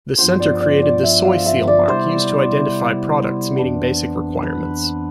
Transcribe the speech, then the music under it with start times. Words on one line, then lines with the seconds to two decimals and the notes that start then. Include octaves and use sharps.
The center created the SoySeal mark used to identify products meeting basic requirements.
0.18 G2 F3 B3 F4 C5
0.40 D5
0.60 D5
0.82 D5
1.03 E5
1.24 F5
1.46 E5
1.67 D5
1.88 C3 G3 B3 E4 C5
3.58 F2 E3 B3 D4
4.43 B4